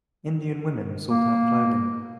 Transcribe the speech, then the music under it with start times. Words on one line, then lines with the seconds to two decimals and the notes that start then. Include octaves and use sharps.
Indian women sort out clothing.
1.09 A#3